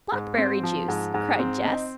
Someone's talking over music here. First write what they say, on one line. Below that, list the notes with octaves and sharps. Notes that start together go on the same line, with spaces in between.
"Blackberry juice!" cried Jess.
G#2
C4
F3
G#2
G#2
C4
C4 D#4